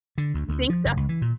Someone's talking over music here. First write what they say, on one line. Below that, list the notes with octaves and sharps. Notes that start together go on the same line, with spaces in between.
You think so?
D3
D2
D2
F3
F#1
C#2
E3
A#2